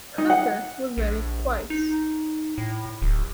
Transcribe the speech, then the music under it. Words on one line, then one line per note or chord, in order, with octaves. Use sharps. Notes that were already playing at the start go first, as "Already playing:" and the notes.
Hunter was married twice.
D#4
F#5
A#1
D#4
A2
D1